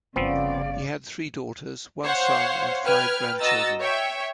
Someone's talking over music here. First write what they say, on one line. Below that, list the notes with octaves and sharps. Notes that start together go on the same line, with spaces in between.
He had three daughters, one son, and five grandchildren.
G1 C#3 F3 B3 C4 D5 F5
C5 C#5 F5 F#5 C6
B4 G5 F6 G#6
F#4 D#5 A#5 E6 A6
C#5 E5 G5